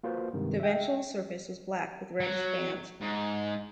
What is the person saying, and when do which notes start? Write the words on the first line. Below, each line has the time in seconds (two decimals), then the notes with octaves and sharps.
The ventral surface was black with reddish bands.
0.04 A#3 F4 F#4 B4 C5
0.33 G2 C3 D#3 G#3
0.60 E5 G5
2.20 F#3
3.01 G#2